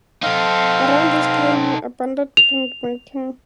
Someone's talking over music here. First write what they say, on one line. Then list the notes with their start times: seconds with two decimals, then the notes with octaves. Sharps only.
Around this time he abandoned printmaking.
0.23 C4 D#4 A4 F5
2.37 F7